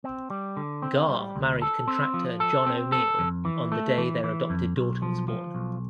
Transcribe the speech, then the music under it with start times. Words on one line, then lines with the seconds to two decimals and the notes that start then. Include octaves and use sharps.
Garr married contractor John O'Neil on the day their adopted daughter was born.
0.04 C4
0.30 G3
0.57 D3
0.82 C4
1.09 G3
1.36 D2
1.62 A4
1.87 C4
2.14 F3
2.40 A4
2.66 C4
2.92 A4
3.19 F2
3.45 E3
3.72 A3
3.98 E3
4.24 E3
4.50 F2
4.76 B1
5.02 F3
5.28 F3
5.55 B1